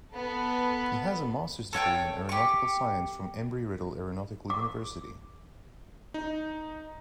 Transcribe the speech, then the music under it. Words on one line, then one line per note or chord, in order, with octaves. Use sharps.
He has a master's degree in aeronautical science from Embry-Riddle Aeronautical University.
B3 A4
A4 C#5 F#5 G5
G4 C#6
D6
D#4